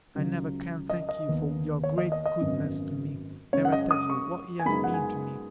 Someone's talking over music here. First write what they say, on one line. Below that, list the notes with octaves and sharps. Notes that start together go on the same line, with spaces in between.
I never can thank you for your great goodness to me, never tell you what it has been to me.
C#2 C#3 F#3
D#5
D#5
D#2 D#3 B3
C#5
D#5
D#5
D#5
G#1 F#2 C#3 B3
F#2 C#3 G#3 C#4 C#5
F#5
D#5
D#6
C#6
G#5
F#2 C#3 G#3 B3 D#4 B5
F#5
G#5